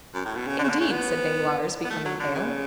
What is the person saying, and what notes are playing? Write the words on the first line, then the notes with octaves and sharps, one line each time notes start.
"Indeed?" said Danglars, becoming pale.
F#2
A2
B2
C#3
D3
C#3
D3
C#3
B3
B3
A3
F#3
D3
C#3